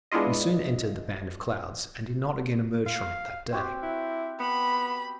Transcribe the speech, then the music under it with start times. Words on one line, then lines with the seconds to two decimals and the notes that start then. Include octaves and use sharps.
We soon entered the band of clouds, and did not again emerge from it that day.
0.12 G#3 B3 D4 E4 F4 D#5
2.86 F5
3.52 C4 F#4 G4
3.83 E4
4.40 B3 B5